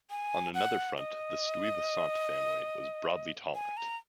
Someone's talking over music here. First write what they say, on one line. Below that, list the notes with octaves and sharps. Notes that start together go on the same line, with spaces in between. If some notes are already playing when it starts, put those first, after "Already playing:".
On another front, the Stuyvesant family was broadly tolerant.
G#5
F#5
D#5
G#5
A#5